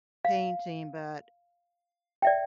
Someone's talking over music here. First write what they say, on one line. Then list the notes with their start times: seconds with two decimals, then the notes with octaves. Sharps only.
painting, but,
0.25 F5
2.22 D5 E5 G5